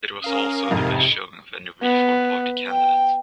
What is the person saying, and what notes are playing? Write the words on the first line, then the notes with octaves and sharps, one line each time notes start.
It was also the best showing of any Reform Party candidate.
C#4 A#4 F5 D#6
A1 F2 G#2 C3
B3
G5